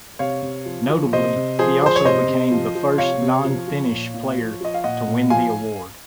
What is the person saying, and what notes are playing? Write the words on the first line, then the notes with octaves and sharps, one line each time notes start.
Notably, he also became the first non-Finnish player to win the award.
C3 C#5 F5
C3
F3
F3
C3 C5 D#5
C3
F3 G#4 C5
F3 C5
C#5
C3 C5 D#5
C3
F3
F3
C3 C#5 F5
C3
F3
F3
A#2
A#2
F3
F3 D#5
F5
A#2 D#5 F#5
A#2
F3 F5 G#5